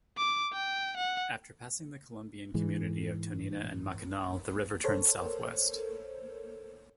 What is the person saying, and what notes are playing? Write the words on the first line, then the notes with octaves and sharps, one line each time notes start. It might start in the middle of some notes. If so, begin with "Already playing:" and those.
After passing the Colombian community of Tonina and Macanal the river turns Southwest.
D6
G5
F#5
G#2 E3 G#3
A4 A#4 C5 C#5